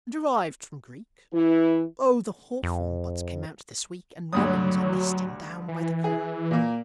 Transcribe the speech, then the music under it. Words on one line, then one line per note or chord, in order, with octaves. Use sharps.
Derived from Greek Oh, the hawthorn buds came out this week, And robins are nesting down by the creek.
E3 E4
F2
D2 G2 F#3 D#6
E3
G#4
A#2 A#3